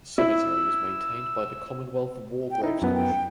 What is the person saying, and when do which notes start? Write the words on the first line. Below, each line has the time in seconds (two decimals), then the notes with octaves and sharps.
The cemetery is maintained by the Commonwealth War Graves Commission.
0.18 E4 E6
2.51 G5
2.64 D#4 E4
2.82 F#2 B3
2.94 G5